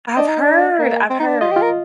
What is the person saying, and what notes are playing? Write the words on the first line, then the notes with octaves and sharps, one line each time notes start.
I've heard, I've heard.
D4 D#5
D#4
D4
A#3
C4
D#4
D4
F4 D#5
G4
F4
A#4